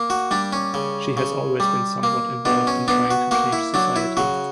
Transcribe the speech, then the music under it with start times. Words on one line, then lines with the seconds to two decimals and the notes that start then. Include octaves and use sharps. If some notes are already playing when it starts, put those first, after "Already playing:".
She has always been somewhat involved in trying to change society.
Already playing: A#3
0.10 F#4
0.31 G3 D4
0.53 C#4
0.74 C#3
1.17 C#3
1.60 G3
2.03 A#3
2.45 B2 D4
2.67 C#4
2.88 B3 D4
3.11 F#4
3.31 A#3 F#4
3.53 E4
3.74 F#3 D4
3.96 E4
4.17 C#3 F#4